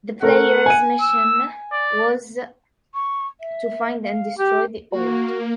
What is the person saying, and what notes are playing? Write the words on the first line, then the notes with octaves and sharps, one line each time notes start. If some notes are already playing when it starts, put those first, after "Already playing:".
The player's mission was to find and destroy the orb.
A3 A#4 F#5
G#5 D#7
E6
D5
C#6
E5
F5
G4 D6
A#3 F#4